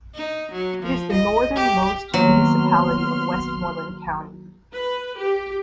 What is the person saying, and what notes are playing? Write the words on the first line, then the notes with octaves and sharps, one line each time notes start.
It is the northern most municipality of Westmoreland County.
D#4
F#3
F3
D#5
G4
D#3 F#3 A#3 B3 F#4 C6 F6
B4
G4